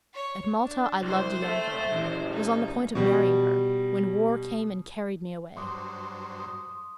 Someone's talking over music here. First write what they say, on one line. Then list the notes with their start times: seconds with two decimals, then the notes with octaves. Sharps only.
At Malta, I loved a young girl, was on the point of marrying her, when war came and carried me away.
0.13 C#5
0.64 D4
1.02 C2 C4 C5
1.42 A4 E5
1.91 A#2 E3
2.32 D#4
2.95 B2 G3
5.57 G2 F#3 C5 C6 D6 D#6
6.40 D#6